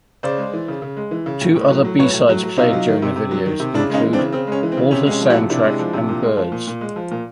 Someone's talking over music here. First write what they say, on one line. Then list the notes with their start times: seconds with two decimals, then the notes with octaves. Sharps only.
Two other b-sides played during the videos include "walter's sound track" and "birds".
0.23 C#3 C5 D5
0.38 G#3
0.53 E3
0.68 C#3
0.82 C#3
0.97 G#3
1.11 E3
1.26 C#3
1.41 A2
1.55 A2
1.70 F#3
1.85 F#3
1.99 A2 B4 C#5
2.13 A2
2.29 F#3
2.43 F#3
2.57 C3 D#4 F4
2.73 F#3
2.87 D#3
3.02 C3
3.16 C3
3.31 F#3
3.46 D#3
3.60 C3
3.74 C#3 D4 E4
3.90 G#3 C#4 D#4
4.03 E3
4.13 C4 D4
4.19 C#3
4.32 C#3 C4
4.47 G#3 C#4
4.63 E3
4.72 C4
4.77 C#3
4.91 C3 C#4
5.07 G#3 C#4
5.21 F3
5.30 E4 F#4
5.35 C3
5.50 C3 D4 E4
5.64 G#3
5.79 F3
5.93 C3
6.09 A#2
6.23 G#3
6.37 F3
6.52 A#2
6.67 A#2
6.81 G#3
6.96 F3
7.11 A#2